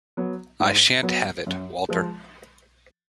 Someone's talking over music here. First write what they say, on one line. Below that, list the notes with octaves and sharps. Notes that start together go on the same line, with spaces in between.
'I shan’t have it', Walter.
F#3 B3
G#2
F#3 B3
F#2
F3 G#3